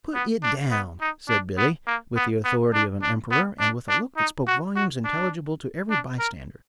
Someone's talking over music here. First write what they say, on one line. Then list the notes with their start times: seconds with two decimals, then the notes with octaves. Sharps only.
"Put it down!" said Billy, with the authority of an emperor, and with a look that spoke volumes intelligible to every by-stander.
0.14 B3
0.43 D4
0.71 B3
1.01 D#4
1.29 D4
1.57 B3
1.87 A#3
2.16 B3
2.44 B3
2.73 D4
3.02 D4
3.31 B3
3.60 D4
3.89 D4
4.17 D#4
4.47 F#4
4.76 F#4
5.04 D4
5.90 D4
6.19 A#4